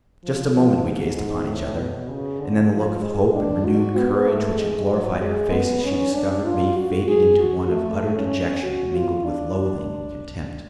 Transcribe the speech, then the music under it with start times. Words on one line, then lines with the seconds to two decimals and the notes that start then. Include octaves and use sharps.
Just a moment we gazed upon each other, and then the look of hope and renewed courage which had glorified her face as she discovered me, faded into one of utter dejection, mingled with loathing and contempt.
0.24 F3
0.54 F3
0.86 G#2
1.16 G#2
1.48 A2
1.79 B2
2.10 C#3
2.41 D3
2.72 F3
3.03 G#3
3.35 D4
3.66 F#4
3.97 B3
4.28 A3
4.59 G#3
4.90 F#3
5.21 G#3
5.52 B3
5.84 C#4
6.15 D4
6.46 F4
6.77 F#4
7.08 G#4
7.39 F#4
7.70 A3
8.16 C#4
8.63 F#4
8.94 F4
9.25 D4